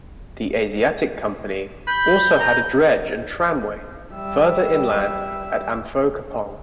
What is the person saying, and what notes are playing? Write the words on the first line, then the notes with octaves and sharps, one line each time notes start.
The Asiatic Company also had a dredge and tramway further inland at Amphoe Kapong.
B5 G6
A#5
G3 E5